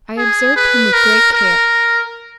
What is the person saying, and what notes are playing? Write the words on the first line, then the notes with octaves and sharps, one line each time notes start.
I observed him with great care.
G#4
B4
A#4
A#4